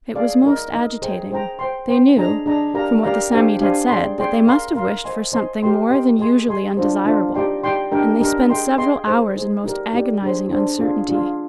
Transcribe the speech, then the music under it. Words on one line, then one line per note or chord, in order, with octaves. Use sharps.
It was most agitating; they knew, from what the Psammead had said, that they must have wished for something more than usually undesirable, and they spent several hours in most agonizing uncertainty.
G#4 D5 F5
D#4 A#4 D#5
D#4 A#4 D#5
G#4 C5 D#5 G5 A#5
G#4 C5 D#5 G5 A#5
C5 G5 C6
C5 G5 C6
D4 G#4 D#5 A#5
D4 G#4 D#5 A#5
G4 A#4 D5 F5 A#5
G4 A#4 D5 F5 A#5
D4 G4 C5 F5 G#5
D4 G4 C5 F5 G#5
G#4 D5 G5 C6
G#4 D5 G5 C6
A#4 F5 C6
A#4 F5 C6
C5 D#5 G#5 C6
C5 D#5 G#5 C6
G4 A#4 D#5 G5 C6
G4 A#4 D#5 G5 C6
G#4 D#5 G#5 C6
G#4 D#5 G#5 C6
D4 F4 C5
D4 F4 C5
D#4 G4 D5 G5 C6
D#4 G4 D5 G5 C6
D4 G4 A#4 D#5 G5
D4 G4 A#4 D#5 G5
G#4 D#5 G5 C6
G#4 D#5 G5 C6
D#4 G#4 C5
D#4 G#4 C5
D#4 G4 A#4 D5
D#4 G4 A#4 D5
D4 G#4 C5
D4 G#4 C5
D4 F4 G#4
D4 F4 G#4